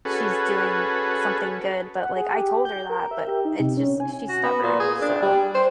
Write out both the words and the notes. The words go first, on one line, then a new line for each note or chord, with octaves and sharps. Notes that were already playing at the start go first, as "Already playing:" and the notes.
she's doing something good, but, like, I told her that but, it's just she's stubborn, so
C#4 F#4 G#4 A4 B4
F#5
G#4
G4
G6
A#4
E5
G4
D#4
C3
C#4
G#5
F#4
B3
A#2
G#4
D4
G3
C5